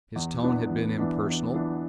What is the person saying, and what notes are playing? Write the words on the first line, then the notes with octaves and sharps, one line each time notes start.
His tone had been impersonal.
E2
E3 B3 D4
E2
E3 B3 D4
E2
E3 B3 D4